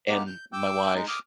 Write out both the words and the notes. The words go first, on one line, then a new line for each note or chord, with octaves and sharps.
and my wife.
G#3 A#3 B3 D#4 G4
G6
G5 D6 E6 G6
G#3 D#4
D6 D#6 F6